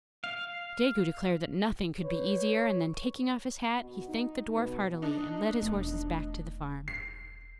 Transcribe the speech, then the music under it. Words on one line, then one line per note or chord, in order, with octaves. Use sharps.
Jegu declared that nothing could be easier, and then taking off his hat, he thanked the dwarf heartily, and led his horses back to the farm.
F5
B4 C#5
B2
D#4
B2
D4 D#4
E1 A3
C7